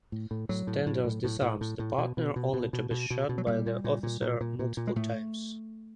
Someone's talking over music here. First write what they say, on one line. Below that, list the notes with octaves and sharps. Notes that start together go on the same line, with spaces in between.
Stander disarms the partner only to be shot by the officer multiple times.
A2
A2
A2 F#3
A2
A2
A2
A2
A2
A2
A2
B2
B2
B2
B2
B2
B2
B2
B2
F#3
A#2 G3
A#2
A#2
A#2
A#2
A#2
A#2
A#2
G#3
A2 A3